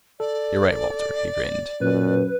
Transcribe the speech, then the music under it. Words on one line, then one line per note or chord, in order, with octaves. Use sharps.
"You're right, Walter," he grinned.
A4 D5
F#2 A#2 B4